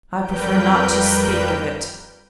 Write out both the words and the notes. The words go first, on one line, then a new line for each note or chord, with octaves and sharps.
I prefer not to speak of it.'
F2 G3 A#4 B4 G5 G6